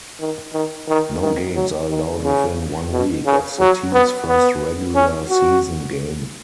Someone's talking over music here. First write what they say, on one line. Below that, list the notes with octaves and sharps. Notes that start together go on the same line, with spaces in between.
No games are allowed within one week of the team's first regular season game.
D#3
D#3
D#3
D#3
F#3
D#3
C#3
B2
C#3
F#3
B3
B3
C#4
F#4